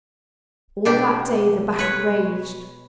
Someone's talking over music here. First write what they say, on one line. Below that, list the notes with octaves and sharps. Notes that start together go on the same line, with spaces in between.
All that day the battle raged.
B2 D4 G4
B4 C#5